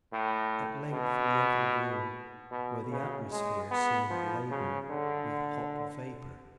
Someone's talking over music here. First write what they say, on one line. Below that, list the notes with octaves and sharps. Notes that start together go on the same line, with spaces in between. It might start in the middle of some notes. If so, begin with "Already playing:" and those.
At length we entered a room where the atmosphere seemed laden with hot vapor.
A2
B2
B2
C#3
G#3
B3
F3
C#3
D3